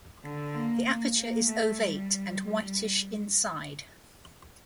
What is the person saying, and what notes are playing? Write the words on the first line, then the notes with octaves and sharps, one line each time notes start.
The aperture is ovate and whitish inside.
D3
A#3
A#3
A#3
A3
G3
G3